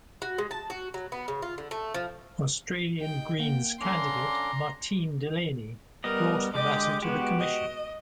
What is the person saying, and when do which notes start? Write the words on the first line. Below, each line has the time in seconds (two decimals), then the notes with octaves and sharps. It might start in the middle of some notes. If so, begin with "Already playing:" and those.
Australian Greens candidate Martine Delaney brought the matter to the Commission.
0.22 F#4
0.38 G#3
0.51 A5
0.70 F#4
0.94 F#3
1.12 B3
1.28 C#3
1.42 F4
1.58 D3
1.71 A3
1.94 F3
3.00 D#4 G4 D#5 G5
3.39 A#3 F#5 G5
3.80 G2 D3 C#4 D4 A#5 C6 D6
6.04 G3 B3 A#4 D#5
6.54 D3 G#3 G4 D#5 D6
7.02 G#3 B3 F#4 G4
7.40 D#5